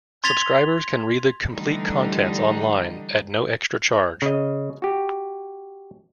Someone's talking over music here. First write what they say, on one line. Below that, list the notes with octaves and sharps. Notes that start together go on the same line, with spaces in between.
Subscribers can read the complete contents online at no extra charge.
C6 G#6 A6 B6 F7 G7
D3 E3 G3 A3 D4 D#4
C#3 D#5
F#4 G4